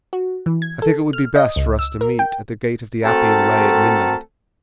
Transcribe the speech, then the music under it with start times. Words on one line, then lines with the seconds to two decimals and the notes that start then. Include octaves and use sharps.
I think it would be best for us to meet at the Gate of the Appian Way at midnight.
0.13 F#4
0.46 E3
0.62 G#6
0.82 A4
1.13 F6
1.36 D#5
1.56 C#2
1.79 E6
2.01 A#4
2.19 G5
3.04 A3 C4 F#4 A4 A#4